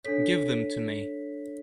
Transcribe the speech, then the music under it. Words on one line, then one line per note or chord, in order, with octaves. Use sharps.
Give them to me.
D4 A4 C#5 B6